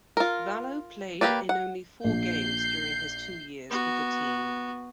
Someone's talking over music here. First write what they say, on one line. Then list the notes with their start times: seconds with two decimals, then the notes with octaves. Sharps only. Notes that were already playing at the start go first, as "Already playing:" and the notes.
Vallow played in only four games during his two years with the team.
0.17 F4 A#4
1.21 A#3 G4 B4 D5
1.49 F#5
2.04 A#1 G6 C7
3.70 B3 F#4